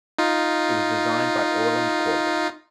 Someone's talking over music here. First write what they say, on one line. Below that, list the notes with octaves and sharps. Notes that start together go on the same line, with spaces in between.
It was designed by Orland Corben.
D#4 F4